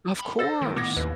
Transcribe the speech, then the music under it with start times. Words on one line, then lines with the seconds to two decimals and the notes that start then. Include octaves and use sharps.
Of course.
0.19 G5 B5
0.39 A4 C5 E6 A6 A#6
0.61 A2 D#3
0.76 A2 D#3 B3 D6 G#6 A#6
0.97 D#2 B4